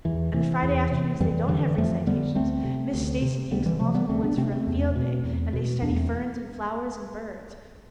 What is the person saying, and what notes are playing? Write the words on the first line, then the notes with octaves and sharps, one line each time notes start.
And the Friday afternoons they don't have recitations Miss Stacy takes them all to the woods for a 'field' day and they study ferns and flowers and birds.
E2 E3
C3 E3
E2
C3
F2 E3 G3
D3 E3 G3
F2 F3 A3
D3 G3 B3
D2 A3 C4
C3
D2
C3
D2 G3 B3
E3 G3
C3 F3 A3
G3 B3
D2 A3 C4
B3 D4
C3 A3 C4
D4
A3 C4
E2
B2
E2
B2
E2 B3 D4
A3 C4